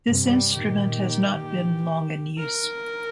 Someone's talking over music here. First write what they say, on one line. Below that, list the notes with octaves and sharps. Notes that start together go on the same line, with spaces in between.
This instrument has not been long in use.
G2 C3
G3
A#2 D#3 G4
A#4